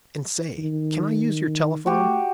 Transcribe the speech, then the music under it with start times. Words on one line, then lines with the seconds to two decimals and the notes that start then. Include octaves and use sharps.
'And say, can I use your telephone?'
0.58 D#3
1.86 A3 F#4 G4